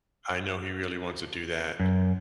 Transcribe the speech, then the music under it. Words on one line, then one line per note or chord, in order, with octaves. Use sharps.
I know he really wants to do that,
F#2